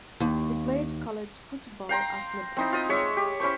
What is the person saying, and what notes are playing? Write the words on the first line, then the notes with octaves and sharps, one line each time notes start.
He played college football at Nebraska.
D#2
F5 G5 A#5 C6
C4 D#4 E4
F4 D#5
G#3 C#5 E5
G4
C#4 E4 C5 C#6